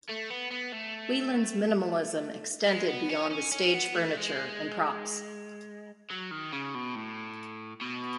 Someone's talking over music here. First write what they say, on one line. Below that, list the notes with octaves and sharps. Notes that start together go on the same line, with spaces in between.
Wieland's minimalism extended beyond the stage furniture and props.
A3
B3
B3
A3
G#3
B3
C#4
C#4
C#4
B3
A3
G#3
F#3
D#3
C#3
B2
A2
B2